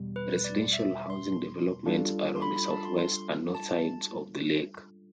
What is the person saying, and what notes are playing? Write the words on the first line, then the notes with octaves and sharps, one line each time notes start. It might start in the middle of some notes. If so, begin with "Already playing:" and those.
Residential housing developments are on the southwest and north sides of the lake.
Already playing: E2 B2 G3
B4
D5
E5
C6
G3 D4 F4 A4
C6
B5
B5
A5
C6
C6
A5